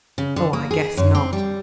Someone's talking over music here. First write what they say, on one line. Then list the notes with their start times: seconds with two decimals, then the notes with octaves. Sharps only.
Oh, I guess not.
0.18 C#3
0.36 D3
0.53 A#3
0.71 G#4
0.97 F#2
1.15 C4
1.33 G3